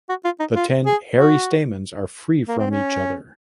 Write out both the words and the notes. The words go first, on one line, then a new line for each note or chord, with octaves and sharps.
The ten hairy stamens are free from each other.
F#4
F4
D#4
F4
G#4
F#4
A#3
C4
C#4